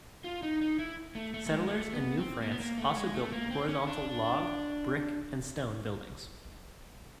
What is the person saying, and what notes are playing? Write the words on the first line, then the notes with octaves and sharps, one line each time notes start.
Settlers in New France also built horizontal log, brick, and stone buildings.
F4
D#4
D#4
E4
A3
A3
A3
G#3
A3
B3
C4
A#3
B3
A#3
A3
G#3
A3
A#3
C4
C#4
D4